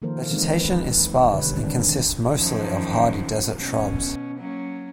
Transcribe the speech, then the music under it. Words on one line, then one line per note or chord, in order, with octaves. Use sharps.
Vegetation is sparse and consists mostly of hardy desert shrubs.
D#3 F3 A#3 A4 A#4 C5
E3 G#3 C4 D#4
B4
B2 D3 G3 B4 C#5
D3 D#3 G#3 C4 D4
F#2 D#3 F3
B2 C#4
F#3 A#3 C#4